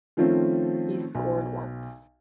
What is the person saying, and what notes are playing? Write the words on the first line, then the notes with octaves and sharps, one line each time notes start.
He scored once.
D#3 F3 A3 C4 C#4 F4
B1